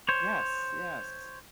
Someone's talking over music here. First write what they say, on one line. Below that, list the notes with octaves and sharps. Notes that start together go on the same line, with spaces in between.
Yes, yes.
C5 C#5